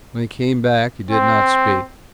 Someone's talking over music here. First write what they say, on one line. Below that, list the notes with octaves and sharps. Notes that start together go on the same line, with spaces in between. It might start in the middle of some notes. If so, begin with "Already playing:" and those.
When he came back, he did not speak.
C4